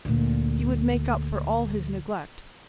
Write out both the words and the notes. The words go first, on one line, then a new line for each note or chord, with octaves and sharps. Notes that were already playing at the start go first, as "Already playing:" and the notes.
He would make up for all his neglect.
D2 A#2